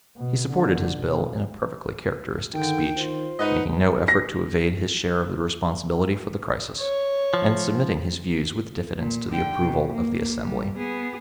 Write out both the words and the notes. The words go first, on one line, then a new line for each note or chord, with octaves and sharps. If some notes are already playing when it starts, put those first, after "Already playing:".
He supported his bill in a perfectly characteristic speech, making no effort to evade his share of the responsibility for the crisis, and submitting his views with diffidence to the approval of the Assembly.
B2
D3
B2
G2 D3 D#3 G5
D#3 F4 C5
G#2 D#4 B4 D#5 F#5
A#6
C#5
F3
A#2
D3 G5
B2
A#3
G3
B3 G#4